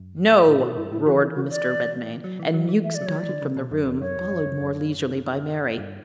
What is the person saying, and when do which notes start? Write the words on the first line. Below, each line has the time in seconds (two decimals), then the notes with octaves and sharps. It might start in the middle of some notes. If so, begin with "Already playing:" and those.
"No!" roared Mr. Redmain; and Mewks darted from the room, followed more leisurely by Mary.
Already playing: F#2
0.47 A2 E4
0.62 B2 F#4
0.77 G2 E4
0.92 A2 E4
1.06 E3 F#4
1.21 E4
1.35 F#4
1.51 D5
2.24 F#3
2.39 E3
2.54 F#3
2.69 E3
2.83 E5
2.95 D5
3.01 F#3
3.07 C#5
3.15 E3 D5
3.29 D3
3.42 C#3
3.57 B2
3.72 F#2
3.86 E2
4.01 F#2 C#5
4.16 E2
4.31 F#2
4.46 F#2
4.61 F#2
5.78 G2